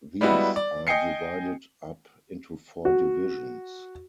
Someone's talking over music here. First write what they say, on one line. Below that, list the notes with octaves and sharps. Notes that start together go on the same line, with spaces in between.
These are divided up into four divisions.
G3 G#3 B3 E4 F#4
D5
D#5 G5 G#5 C7 C#7
F#4